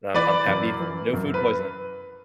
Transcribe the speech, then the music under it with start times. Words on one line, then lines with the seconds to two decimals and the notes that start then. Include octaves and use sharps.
I'm I'm happy, no food poisoning.
0.14 E3 B4 D5
0.47 F#2
0.80 E3
1.13 F#2
1.34 B4